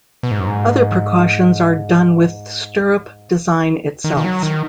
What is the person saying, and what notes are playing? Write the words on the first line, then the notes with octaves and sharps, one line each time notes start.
Other precautions are done with stirrup design itself.
B2
G#2
F#2
G#2
C#3
D#3
D#3
D#3
F#3
D#3